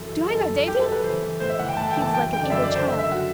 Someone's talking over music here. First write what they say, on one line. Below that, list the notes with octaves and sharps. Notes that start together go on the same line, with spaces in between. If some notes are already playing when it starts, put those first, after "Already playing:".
"Do I know Dayton?" He was like an eager child.
Already playing: F#2 E3 A4
F#2
F#2 A4
F#2
F#2 G4
A4
F#2
B4
E3 C5
E3
A2 C5
E5
E3 F#5
G5
A2 A5
G5
E3
A5
F#2 G5
D3 G5
D5
F#2 E5
D5
D3
C5
D3 E5
E5
F#2
F#4